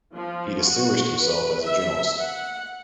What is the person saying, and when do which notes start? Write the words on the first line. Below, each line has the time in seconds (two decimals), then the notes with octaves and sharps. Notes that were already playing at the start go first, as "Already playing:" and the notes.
He distinguished himself as a journalist.
0.15 F3
0.63 F#4
1.23 B4
1.65 E5
2.20 F#5